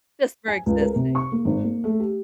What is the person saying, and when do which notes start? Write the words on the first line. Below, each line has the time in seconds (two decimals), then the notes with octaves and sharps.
Just for existing.
0.48 G#5
0.66 C#2
0.81 A#4
0.96 C3
1.15 C#6
1.32 A#3
1.45 G#1
1.63 A#3
1.84 A3
2.00 G4